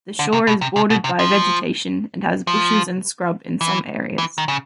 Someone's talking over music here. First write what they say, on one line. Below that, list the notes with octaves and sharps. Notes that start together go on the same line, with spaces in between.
The shore is bordered by vegetation and has bushes and scrub in some areas.
D3
C3
B2
C3
C3
B2
C3
F3
F3
E3
E3
D#3
C#3